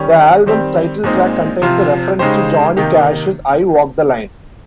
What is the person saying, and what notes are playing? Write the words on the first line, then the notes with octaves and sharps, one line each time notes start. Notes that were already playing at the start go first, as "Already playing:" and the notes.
The album's title track contains a reference to Johnny Cash's "I Walk the Line".
Already playing: D#3 G3 C#4 G4
D#3 G3 C4 G4
A#2 G#3 C4 D#4
C3 F3 C4 F4
C#3 G#3 D#4 G4 C5
C3 D#3 A#3 D#4 G4